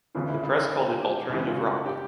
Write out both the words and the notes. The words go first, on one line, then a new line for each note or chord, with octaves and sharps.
The press called it “Alternative rock”.
D2 C#3 E3 F4
E4
E4
F4
G4
C#2 C3 E3
F4
F#4
G4